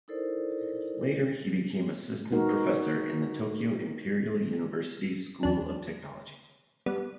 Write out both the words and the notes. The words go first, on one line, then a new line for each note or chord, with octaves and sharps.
Later he became assistant professor in the Tokyo Imperial University School of Technology.
D#4 E4 A4 A#4 C5 D5
B3 D#4 F#4 A#4
E2 D4
G3 B3